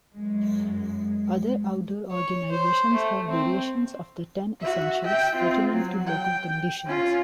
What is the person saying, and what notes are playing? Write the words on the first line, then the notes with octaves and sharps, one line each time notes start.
Other outdoor organizations have variations of the "Ten Essentials" pertinent to local conditions.
F#2 G#3
G#3
C#5
C5
A3
C4
F#4 E5
E5 G5
C4 F4
F#3
G5
C#4 F4